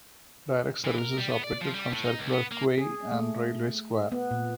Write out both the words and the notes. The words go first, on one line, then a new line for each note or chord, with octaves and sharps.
Direct services operated from Circular Quay and Railway Square.
E3
A#4
G3
B3
D5
F3
G3
A2
D#4
C#2
B3
A#3
G#4
A3
B3
A#2